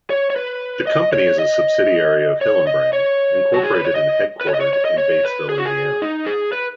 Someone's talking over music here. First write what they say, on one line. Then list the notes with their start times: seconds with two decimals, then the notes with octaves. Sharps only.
The company is a subsidiary of Hillenbrand, Incorporated and is headquartered in Batesville, Indiana.
0.10 C#5
0.30 C#5
0.36 B4
0.87 D#5
1.12 C#5
1.39 D#5
2.41 C#5
2.67 D#5
2.93 C#5
3.54 F#4
3.64 G#4
3.75 B4
3.85 C#5
3.96 D#5
4.41 B4
4.47 C#5
4.54 D#5
4.61 C#5
4.73 C#5
4.85 D#5
4.98 C#5
5.25 B4
5.49 G#4
5.58 F#4
5.65 G#4
6.02 D#4
6.27 G#4
6.53 B4